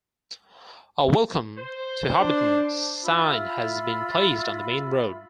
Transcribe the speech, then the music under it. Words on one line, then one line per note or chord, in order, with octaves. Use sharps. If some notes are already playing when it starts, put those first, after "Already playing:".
A "Welcome to Hobbiton" sign has been placed on the main road.
C5
D4
F4 E5 B5 E6